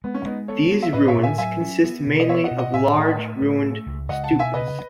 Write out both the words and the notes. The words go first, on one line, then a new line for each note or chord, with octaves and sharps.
These ruins consist mainly of large ruined stupas.
G#3 B3
C#4
G#3 B3 D#4
B3 A4 C#5
B3
E5
A2 B4 D#5
C#5 E5
A2
E5 G#5
F#3 E5 G#5
C#4
B3
B2
D#5
B3 C#5 E5
D#5 F#5
B2
D#5 F#5
A2 E5 G#5
A2
A3
A2
A3
C#2
C#2 D#5 F#5
F#5 A5
B2
E5 G#5
C#3 B4 D#5